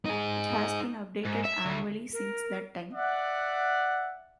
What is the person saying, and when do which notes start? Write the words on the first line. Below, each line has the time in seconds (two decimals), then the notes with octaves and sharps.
It has been updated annually since that time.
0.06 D#4 G#4
1.25 G#2
1.45 E5
1.66 D2
2.13 A#4
2.93 D5 E5 F#5